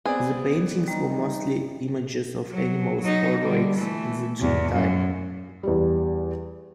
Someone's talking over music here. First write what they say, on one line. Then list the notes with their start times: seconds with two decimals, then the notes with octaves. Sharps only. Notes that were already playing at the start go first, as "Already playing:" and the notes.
The paintings were mostly images of animals or lakes, and the Dreamtime.
0.05 B3 C4 G#4 D5
0.88 G3 D#4
2.51 F#3
3.02 F#3 D#4
3.42 D3 G3
3.77 E3 A3
4.41 E2 G#2
4.72 F#2
5.63 E2 G3